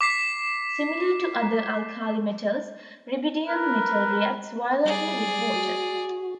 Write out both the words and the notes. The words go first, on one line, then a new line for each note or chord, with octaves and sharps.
Similar to other alkali metals, rubidium metal reacts violently with water.
D6 B6 C7
A#4 B4
G3 G#4 D5
F#4